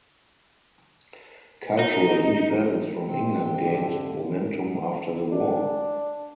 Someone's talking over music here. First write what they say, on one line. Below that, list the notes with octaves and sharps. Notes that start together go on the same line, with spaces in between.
Cultural independence from England gained momentum after the war.
D#4
G#2 C3 C4 G5
D3
D4